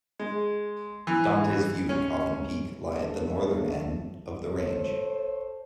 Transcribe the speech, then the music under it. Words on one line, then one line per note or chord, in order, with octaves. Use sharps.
Dante's View and Coffin Peak lie at the northern end of the range.
G#3
E3
C#4
F#3 A3 A#3 D4
A4 C5 C#5